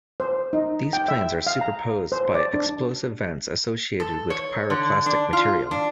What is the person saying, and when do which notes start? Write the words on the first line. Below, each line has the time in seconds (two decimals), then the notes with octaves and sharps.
These plains are superposed by explosive vents associated with pyroclastic material.
0.20 C5
0.53 D#4
0.93 G5
1.08 E5
1.47 F5
1.61 A#5
2.12 C5
2.35 D5
2.54 D4
4.00 A4
4.30 C#5
4.70 D3
5.06 D4
5.33 F4
5.71 D4